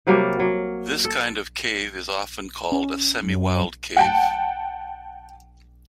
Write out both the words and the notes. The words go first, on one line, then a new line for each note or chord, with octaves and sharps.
This kind of cave is often called a semi-wild cave.
C3 F#3 G3 A#3
F#3
A4
C#4
F#2
F#5 G5 A5